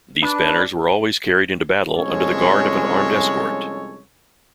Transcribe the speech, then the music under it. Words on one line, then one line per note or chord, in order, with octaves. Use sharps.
These banners were always carried into battle under the guard of an armed escort.
D4 B4
C2 F3 G#3 C#4 A4 C#5